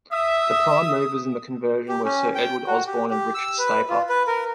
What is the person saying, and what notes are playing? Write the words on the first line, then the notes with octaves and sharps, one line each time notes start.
The prime movers in the conversion were Sir Edward Osborne and Richard Staper.
E5 D#6
G4
C#4
G5
F#4
G4
G4
E6
B4
F4
B4
A#4